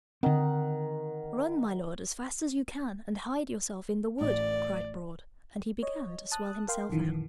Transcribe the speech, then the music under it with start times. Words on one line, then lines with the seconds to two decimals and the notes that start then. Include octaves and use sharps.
'Run, my lord, as fast as you can, and hide yourself in the wood,' cried Broad, and he began to swell himself out.
0.23 D3 D#3 C4 F#5
4.21 A1 A2 D5
5.83 C#5 D#5
6.32 A5 D#6 F#6
6.68 A#4 F5 G5 C6
6.89 A#1 F#2 D#3 E3